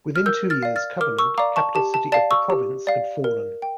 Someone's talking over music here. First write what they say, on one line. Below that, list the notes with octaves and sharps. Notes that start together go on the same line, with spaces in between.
Within two years, Covenant, capital city of The Province, had fallen.
F6
A#4 E6 G6
F6 A6
D5 F5
F6 A6
A#4 D6 F6
C#6 E6
D5 F5 A#5 D6
A5 C#6
G4 A5
A5
D5 F5 A5
C#6 E6
G4
D5 F5
A#4
G5